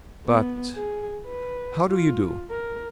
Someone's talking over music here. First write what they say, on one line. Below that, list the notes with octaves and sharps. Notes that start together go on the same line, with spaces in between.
But how do you do?
B3
G#4
B4
F4
A#4